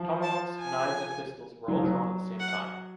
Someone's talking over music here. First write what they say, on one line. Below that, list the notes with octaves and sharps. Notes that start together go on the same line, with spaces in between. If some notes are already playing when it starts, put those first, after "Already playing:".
Tomahawks, knives and pistols were all drawn at the same time.
Already playing: F3
A5
G#5
F#3
F3
F#3
F#5